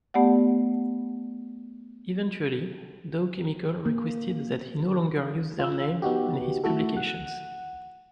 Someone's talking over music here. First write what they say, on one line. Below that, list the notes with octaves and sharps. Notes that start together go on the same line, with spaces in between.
Eventually, Dow Chemical requested that he no longer use their name on his publications.
A3 B3 G4 D5 F#5
A#3
F4 E6
B3 D#4 F#4 G4
A3 E4 F#4 A4
F#5